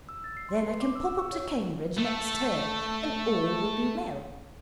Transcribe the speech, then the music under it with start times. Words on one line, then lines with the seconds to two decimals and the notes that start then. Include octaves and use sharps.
Then I can pop up to Cambridge next term, and all will be well.'
0.09 E6
0.24 A6
0.37 C7
0.49 C6
0.67 B4
0.81 D6
0.96 E6
1.07 E6
1.19 C#6
1.32 C#5
1.97 A3 A4